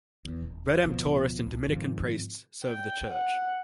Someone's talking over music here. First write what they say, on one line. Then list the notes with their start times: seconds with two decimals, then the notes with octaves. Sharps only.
Redemptorist and Dominican priests serve the church.
0.25 E2
0.42 D#1
0.84 D1 B2 F3
1.46 C2
1.68 G#2 C3 D#3 F3
2.64 G5
3.09 F#5